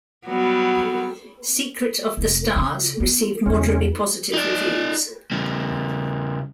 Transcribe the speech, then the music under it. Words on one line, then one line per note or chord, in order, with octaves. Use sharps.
"Secret of the Stars" received moderately positive reviews.
F#3 G3 B3
F1
C#3
B3
E2 C#3 G#3 C#4
D#4 D5
C#3 G3